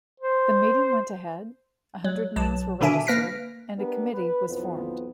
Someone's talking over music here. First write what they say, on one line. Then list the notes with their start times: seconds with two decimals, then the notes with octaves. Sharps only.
The meeting went ahead, a hundred names were registered and a committee was formed.
0.20 C5
2.04 F#3
2.36 B1 F#3 A5
2.81 B2 D3 D#3 D4 E5 G#5
3.06 A#3 B4 F6 A#6 B6 D7
3.77 B3 D4 G4 A#4 B4
4.12 B4
4.47 B1 F2 E3 F3 B3